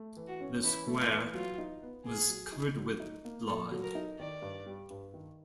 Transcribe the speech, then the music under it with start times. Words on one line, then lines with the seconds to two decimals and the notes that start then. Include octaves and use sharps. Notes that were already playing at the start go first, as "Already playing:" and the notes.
The square was covered with blood.
Already playing: A3
0.17 E3
0.27 F#4
0.40 C#4
0.63 E3 E4
0.87 A3
0.99 F4
1.10 E3
1.34 F#3 F4
1.58 D#4
1.82 B3
2.05 A#2 G#4
2.29 F#3
2.52 D#4
2.77 F#3
3.00 D#4
3.25 A#3
3.47 A#2 A4
3.71 F#3
3.83 A#4
3.95 D#4
4.18 D#3 D5
4.42 G2
4.66 G3
4.90 G2
5.14 D#3